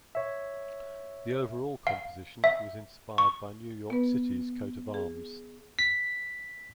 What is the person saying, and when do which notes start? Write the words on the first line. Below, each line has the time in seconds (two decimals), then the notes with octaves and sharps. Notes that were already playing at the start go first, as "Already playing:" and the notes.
The overall composition was inspired by New York City's coat of arms.
0.15 C#5 E5
1.87 F5
2.44 E5
3.18 C#6
3.90 B3 B4
4.94 G#4
5.79 B6